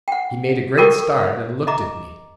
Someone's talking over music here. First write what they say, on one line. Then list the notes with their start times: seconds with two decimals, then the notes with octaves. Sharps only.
He made a great start and looked at me.
0.08 F#5 G5
0.78 A4 A#4 G5 C#6
1.67 D#5 E5 A#5 D6